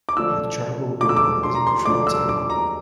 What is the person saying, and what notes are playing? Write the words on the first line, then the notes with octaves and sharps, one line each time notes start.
The Charwell River is a tributary.
D6
D3 F3 A3 D4 E6
D3 F3 A3 D4 D6
E6
D6
C6
A#5
C6
D3 F3 A3 D4 D6
E6
D6
A#5